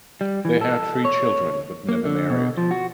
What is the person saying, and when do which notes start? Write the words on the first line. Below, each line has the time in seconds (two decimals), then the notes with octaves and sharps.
They had three children, but never married.
0.21 G3
0.45 E3
0.61 A4
1.05 C#5
1.89 A#3
2.06 D3
2.30 B2
2.58 F3
2.71 F#4